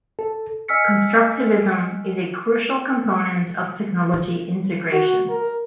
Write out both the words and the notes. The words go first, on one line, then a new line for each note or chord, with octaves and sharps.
Constructivism is a crucial component of technology integration.
A4
D#5 G#5 E6 F6 B6 C#7
F#4
A#4